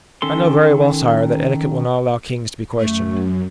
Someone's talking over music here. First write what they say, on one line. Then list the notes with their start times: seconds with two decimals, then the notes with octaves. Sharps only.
I know very well, sire, that etiquette will not allow kings to be questioned.
0.22 D#3 C#4 A4 C6
2.79 F#2 A3